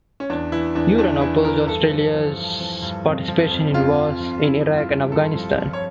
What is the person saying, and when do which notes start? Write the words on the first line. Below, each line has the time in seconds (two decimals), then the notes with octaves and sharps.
Uren opposed Australia's participation in the wars in Iraq and Afghanistan.
0.20 C#4
0.30 E2 D4
0.52 E3 E4
0.75 E2 D4
0.98 E2 D4
1.21 E3 E4
1.44 E3 A#4
1.68 G2 A4
1.90 F3
2.14 F3
2.36 G2
2.60 F3
2.82 G2
3.05 F2
3.28 F3
3.51 F2
3.74 F2 F4
3.98 F2
4.20 F2
4.44 F3 E4
4.67 G2
4.77 F4
4.90 G2
5.12 G2 A4
5.35 F3
5.58 F3
5.73 C#5